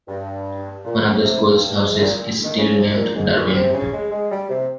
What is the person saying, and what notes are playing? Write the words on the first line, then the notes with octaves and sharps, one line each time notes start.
One of the school's houses is still named Darwin.
G2
A#2
C#3
C3
G2
G#2
A#2
A#2
D#3
C#3
C3
A#2
G#2
A#2
C3
C#3
G#3
G#3
G3
C3